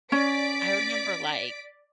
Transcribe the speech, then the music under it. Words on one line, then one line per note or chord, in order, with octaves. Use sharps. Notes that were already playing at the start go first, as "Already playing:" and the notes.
I remember like
C#4 D5 B6 D7